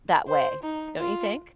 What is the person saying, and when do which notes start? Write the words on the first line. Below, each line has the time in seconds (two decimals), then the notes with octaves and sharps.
that way, don't you think?
0.28 C5
0.64 D#4
0.99 F4